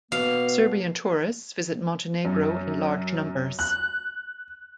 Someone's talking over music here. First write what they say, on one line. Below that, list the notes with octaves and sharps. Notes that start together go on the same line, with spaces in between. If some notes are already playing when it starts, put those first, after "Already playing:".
Serbian tourists visit Montenegro in large numbers.
B2 A#3 F5
F#2
F#6